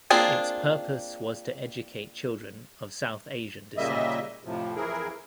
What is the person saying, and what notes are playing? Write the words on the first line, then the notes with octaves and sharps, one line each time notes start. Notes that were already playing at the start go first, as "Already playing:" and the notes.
Its purpose was to educate children of South Asian descent.
A#3 C4 D4 F4 G#4
A#2 C#3 G3 A#3 D#5 E5
F2 A2 C3 F3
F2 E3 E4 G#4 A#4